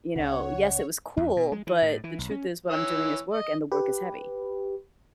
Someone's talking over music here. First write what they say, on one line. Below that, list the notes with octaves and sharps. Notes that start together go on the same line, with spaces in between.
you know, "Yes, it was cool, but the truth is what I'm doing is work, and the work is heavy."
C#2 C#3 C#5 F#5
E2
B2
G#3
E3
A2
E3
B1
C#4
E3 C#5 E6
D#5
G4 B4